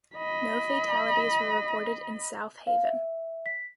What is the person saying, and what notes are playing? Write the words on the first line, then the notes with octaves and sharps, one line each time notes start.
No fatalities were reported in Southaven.
D#5 B5
F5
E5
B6